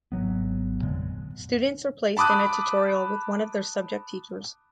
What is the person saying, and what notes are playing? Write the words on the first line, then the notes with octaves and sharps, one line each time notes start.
Students are placed in a tutorial with one of their subject teachers.
G#1 F#3 B3
F2 A#2 D3 G#3
A5 B5 D6 D#6 F#6